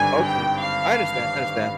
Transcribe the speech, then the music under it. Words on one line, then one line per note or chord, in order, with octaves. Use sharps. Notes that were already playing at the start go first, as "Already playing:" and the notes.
Okay. I understand, I understand.
Already playing: G#1 G2 D3 G3 G#5
G5
F5